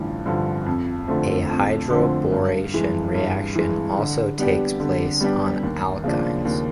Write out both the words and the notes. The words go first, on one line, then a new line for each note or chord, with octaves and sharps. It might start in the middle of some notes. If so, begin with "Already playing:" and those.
A hydroboration reaction also takes place on alkynes.
Already playing: A1 G2 D3 F3
G2 D3 F3
F2
D3 F3 A3 C4
F2
D3 F3 A3 C4
G2
E3 G#3
G2
E3 G#3
D3
G3 B3 D4 G4
D3
G3 B3 D4 G4
D#2
C#3 F3 A#3 D4
D#2